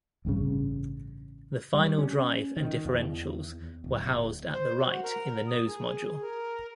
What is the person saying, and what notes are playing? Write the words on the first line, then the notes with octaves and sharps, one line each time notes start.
The final drive and differentials were housed at the right in the nose module.
A1 G2 A#2 C#3
G3
C#4
D#3
E2
D1
C5
F#4
F#5
A#4
D#6
G#4
A#4